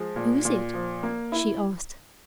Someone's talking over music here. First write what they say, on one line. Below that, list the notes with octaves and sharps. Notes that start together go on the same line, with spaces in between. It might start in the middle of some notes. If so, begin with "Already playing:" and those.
"Who is it?" she asked.
Already playing: F3 G#3
A#2
A#2
F3
A#3
E4